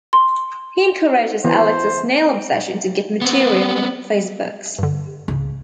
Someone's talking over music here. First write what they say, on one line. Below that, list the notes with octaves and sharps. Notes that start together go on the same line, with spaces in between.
He encourages Alex's snail obsession to get material for his books.
C6
E3 B3 C5
B3 C4
G2 D3
C#2 G#2